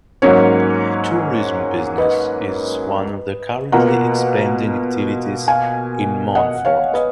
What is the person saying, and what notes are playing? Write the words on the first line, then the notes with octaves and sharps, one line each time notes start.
Tourism business is one of the currently expanding activities in Monforte.
G#2 F#3 A#3 C#4 A#4 C#5
B4 D#5
B2 A#3 F4 F#5 A#5
F5 G#5
D#5 F#5
C#5 F5
B4 D#5